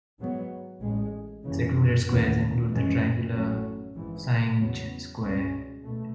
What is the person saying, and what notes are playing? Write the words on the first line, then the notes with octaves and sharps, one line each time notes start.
Secluded squares include the triangular Canynge Square.
G#2 F#3 B3
A1 A2 G#3
F#1 F#2 C#3 E3
D#2 C#3 E3 B3
F#2 E3 G#3 C#4
A1 A2 F#3 A3 C#4
G#1 G#2 E3
E2 C#3 F#3 B3
C#2 B2 G#3 C#4
B2 A3